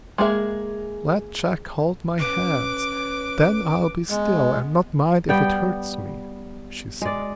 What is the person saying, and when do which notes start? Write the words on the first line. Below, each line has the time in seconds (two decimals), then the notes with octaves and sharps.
'Let Jack hold my hands; then I'll be still, and not mind if it hurts me,' she said.
0.18 G#3 A#3 G#4 E5
2.19 C#4 B4 D6
4.10 G#3 B3
5.29 G3 B3 G5
7.02 G#3 D5